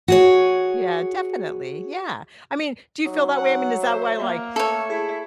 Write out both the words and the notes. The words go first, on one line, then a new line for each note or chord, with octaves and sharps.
Yeah, definitely, yeah. I mean, do you feel that way? I mean, is that why, like,
F#4 G#4 C#5
F#3 D#4
F#5
C5 E5
A#3
A3 A4 C#5
E4 G#4